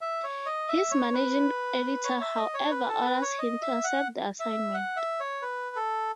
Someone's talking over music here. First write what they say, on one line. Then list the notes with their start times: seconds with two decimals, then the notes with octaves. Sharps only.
His managing editor, however, orders him to accept the assignment.
0.01 E5
0.24 C#5
0.46 D#5
0.69 E5
0.91 C#5
1.14 B4
2.04 C#5
2.21 E5
2.37 D#5
2.54 C#5
2.71 B4
2.89 A4
3.06 B4
3.22 C#5
3.39 D#5
3.62 E5
3.84 F#5
4.40 E5
4.74 F#5
4.96 E5
5.20 C#5
5.42 B4
5.76 A4